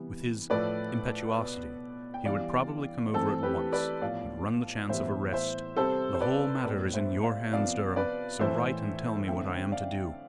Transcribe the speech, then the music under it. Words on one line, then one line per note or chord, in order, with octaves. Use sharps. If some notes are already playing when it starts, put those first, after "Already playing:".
With his impetuosity, he would probably come over at once, and run the chance of arrest. The whole matter is in your hands, Durham, so write and tell me what I am to do.
Already playing: C3 E3 G3 B3
A2 F3 A3 B4 D5
B2 B3
G5
E3 G3 B3 D5 F5
E3 A3 C4 A4
G4 B4
B4 D5
A2 F3 B3 D5 F5
A2 E3 G3 B3 C5 E5
C5 E5
C3 G3 C4 A4 C5
C5
B4 D5
A2 G3 B3 B4 D5
C5 E5
D5 F5
C3 F3 B3 D5 F5
B4 D5
A2 E3 A3 C5 E5
D3 A3 C4 E5 G5
D5 F5